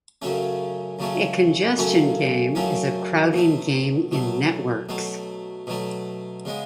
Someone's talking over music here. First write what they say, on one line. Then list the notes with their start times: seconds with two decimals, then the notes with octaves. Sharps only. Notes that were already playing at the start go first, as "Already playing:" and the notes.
A congestion game is a crowding game in networks.
0.22 F#2 C#3 F#3 A3 C#4
0.99 F#2 C#3 F#3 A3 C#4
1.77 F#2 C#3 F#3 A3 C#4
2.55 F#2 C#3 F#3 A3 C#4
3.33 B2 F#3 A3
4.11 B2 F#3 A3
4.89 B2 F#3 A3
5.67 B2 F#3 A3
6.45 C#3 G#3 B3